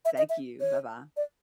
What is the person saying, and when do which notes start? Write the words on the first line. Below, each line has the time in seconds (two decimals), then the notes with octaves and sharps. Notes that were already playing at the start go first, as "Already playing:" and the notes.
Thank you. Bye-bye.
0.05 E5
0.18 D#5
0.29 E5
0.60 C#5
1.17 D5